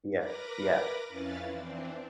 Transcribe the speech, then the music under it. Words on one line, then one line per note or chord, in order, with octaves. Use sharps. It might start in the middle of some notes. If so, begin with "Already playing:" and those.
Yeah. Yeah.
A#4 B4 B5 D6 A#6
F2 C#4 E4 B4 F5 A6
E3 C4 D4